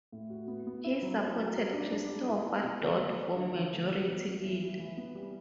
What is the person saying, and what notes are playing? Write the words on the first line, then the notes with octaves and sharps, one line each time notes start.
He supported Christopher Dodd for majority leader.
A2
F#4
B3
B3
E4
F#3
F#3
F#3
G3
D4
D4
G3
E4
E4
B2
F#3
A3
A3
D3
D3
A3
F#4
B2
F#4
E3
E3
E3
B3
G3